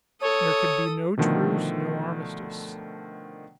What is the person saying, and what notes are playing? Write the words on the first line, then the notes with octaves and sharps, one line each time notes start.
There could be no truce, no armistice.
A4 C#5 D#6
B2 D3 D#3 F3 A3